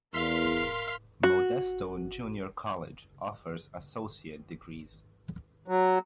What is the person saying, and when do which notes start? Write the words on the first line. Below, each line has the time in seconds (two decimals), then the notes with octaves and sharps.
Modesto Junior College offers Associate Degrees.
0.14 E2 A#4 F5 C6 F6 B6
1.23 F#4
5.68 F#3